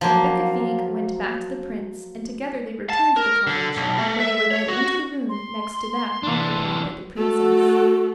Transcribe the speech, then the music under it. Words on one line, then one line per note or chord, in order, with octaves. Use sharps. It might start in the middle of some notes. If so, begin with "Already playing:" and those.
Becafigue went back to the Prince and together they returned to the cottage, where they were led into the room next to that occupied by the Princess.
F3 F#3 A#3
A5
A#4
D3
B1
A3
E5
C#5
F#4
C6
E3 D4
A3 F#4 A4